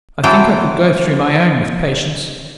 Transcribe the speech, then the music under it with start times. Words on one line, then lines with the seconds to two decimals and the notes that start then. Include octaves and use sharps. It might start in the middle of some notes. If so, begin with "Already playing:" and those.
I think I could go through my own with patience.
0.23 E3 F#3 C4 B4 G5 A5